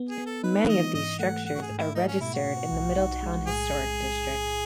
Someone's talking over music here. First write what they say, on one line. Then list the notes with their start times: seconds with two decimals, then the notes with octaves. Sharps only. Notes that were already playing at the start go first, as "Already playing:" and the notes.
Many of these structures are registered in the Middletown Historic District.
Already playing: B3
0.09 G#4
0.18 B3
0.26 A4
0.43 D#4 B4
0.69 E3 D#5
0.95 G#2 D#5
1.19 A3 F#5
1.45 A3 F#5
1.55 F#4
1.62 G#4
1.70 G#2
1.79 E4
1.95 A3 D#4
2.08 C#4
2.21 B2 E4
2.34 F#4
2.46 B2
2.72 B1
2.97 D#4
3.23 G#3
3.47 A2 G#4